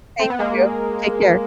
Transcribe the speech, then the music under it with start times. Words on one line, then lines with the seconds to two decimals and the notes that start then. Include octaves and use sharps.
Thank you. Take care.
0.19 C4
0.30 B3
0.39 G#3 A#3